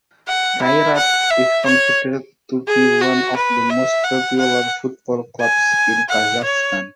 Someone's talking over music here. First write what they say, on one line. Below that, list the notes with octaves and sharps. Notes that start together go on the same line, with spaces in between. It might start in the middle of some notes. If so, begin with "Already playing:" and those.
Kairat is considered to be one of the most popular football clubs in Kazakhstan.
F#5
E4
F#5
E5
C#5
G#4
F#4
B4
E5
F#5
F#5
G#5
F#5
C#5